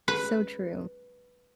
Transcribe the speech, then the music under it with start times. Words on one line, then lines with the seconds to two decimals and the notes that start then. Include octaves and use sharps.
So true.
0.08 B4